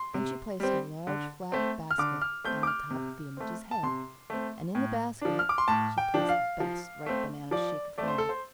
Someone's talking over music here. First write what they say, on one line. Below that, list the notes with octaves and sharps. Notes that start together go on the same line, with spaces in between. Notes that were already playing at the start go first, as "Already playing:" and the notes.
Then she placed a large flat basket on the top of the image's head and in the basket she placed the best ripe bananas she could find.
Already playing: C6
C3
G3 C4
D3
A3 C4
F6
D3 D6
F6
A3 C4 G6
D6
F6
C3
A3 C4
A5
C3 C6
A3 C4
A2
F3 D4
F6
D6
C6
A2 A5
G5
F3 D4
F5
F3
A3 C4
F3 D5
A3 C4 D5
C5
A4
C5